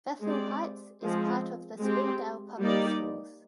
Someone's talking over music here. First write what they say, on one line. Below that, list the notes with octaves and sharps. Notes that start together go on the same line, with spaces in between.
Bethel Heights is part of the Springdale Public Schools.
G#3 C4 G4 D5
F3 G#3 C4
G#3 C4 G4
G3 A#3 D#4 G4 D5